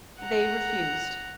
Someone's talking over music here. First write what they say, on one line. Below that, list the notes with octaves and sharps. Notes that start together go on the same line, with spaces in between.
They refused.
F#5 A#5